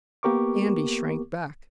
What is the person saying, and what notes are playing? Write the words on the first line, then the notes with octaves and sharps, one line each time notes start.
Andy shrank back.
A#3 B3 G4 A#4 C#6 D6